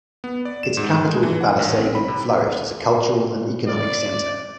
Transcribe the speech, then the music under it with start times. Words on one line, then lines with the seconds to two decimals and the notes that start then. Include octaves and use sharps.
Its capital, Balasagun flourished as a cultural and economic centre.
0.24 B3
0.45 D5
0.63 E7
0.77 G#2
0.90 A3
1.05 G#3
1.23 E3
1.41 F#5
1.59 A1
1.78 C4
1.95 B5
2.08 C3
3.67 D5